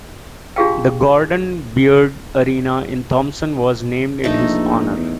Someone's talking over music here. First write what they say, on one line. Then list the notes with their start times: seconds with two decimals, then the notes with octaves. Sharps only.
The Gordon Beard arena in Thompson was named in his honour.
0.56 D4 F4 G4 G#4 F5 G5
4.24 A#1 A3 D#4
4.97 E2